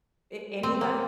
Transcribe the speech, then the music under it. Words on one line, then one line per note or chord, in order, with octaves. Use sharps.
A any of that?
C4
A#3